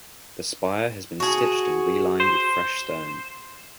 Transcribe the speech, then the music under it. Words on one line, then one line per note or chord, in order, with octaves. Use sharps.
The spire has been stitched and relined with fresh stone.
F#4 G#4
C5